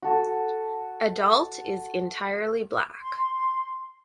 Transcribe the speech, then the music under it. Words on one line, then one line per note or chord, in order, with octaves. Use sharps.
Adult is entirely black.
F#4 A4
C6